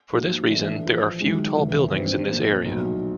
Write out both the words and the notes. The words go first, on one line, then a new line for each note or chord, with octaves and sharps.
For this reason, there are few tall buildings in this area.
G#2 F3 A#3 D#4 F#4
A2 E3 A3 D4
A#1 A2 F3
F#2 D#3 G#3
F1 D#2 C#3 E3 A3
G2 D#3 G3 C4
A#2 F3 A#3
B1 A2 F#3 B3